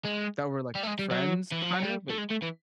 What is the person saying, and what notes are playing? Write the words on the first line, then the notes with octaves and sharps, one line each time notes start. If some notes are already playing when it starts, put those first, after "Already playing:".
that we're, like, friends, kind of, but
G#3
G3
A3
G#3
G3
F#3
E3
F3
F#3
G3
A3
G#3
A3
E3